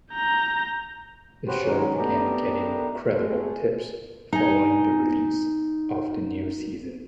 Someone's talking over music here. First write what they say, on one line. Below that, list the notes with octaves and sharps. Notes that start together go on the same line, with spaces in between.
The show began getting "credible tips" following the release of the new season.
A#5 G6
C#4 F#4 G4 B4 C5
G#2 D#3 F#3 G#3 C#4 D#4
A3 B3 D4 D#4 G4 A#4
G#3 A3
D#4 G#5